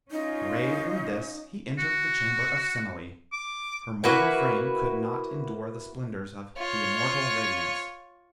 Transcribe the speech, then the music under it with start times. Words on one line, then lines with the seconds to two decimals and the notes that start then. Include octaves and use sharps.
Arrayed in this, he entered the chamber of Semele. Her mortal frame could not endure the splendors of the immortal radiance.
0.11 C#4 D#4 F4
1.78 F#4
3.32 D6
4.04 A#3 E4 F#4 B4
6.58 F4 C#5